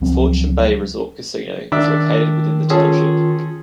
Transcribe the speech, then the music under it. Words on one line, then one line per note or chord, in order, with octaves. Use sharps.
Fortune Bay Resort Casino is located within the township.
C#2 F3 F#3 C4
D#3 D4 E5
C#4 F4 G#4 A4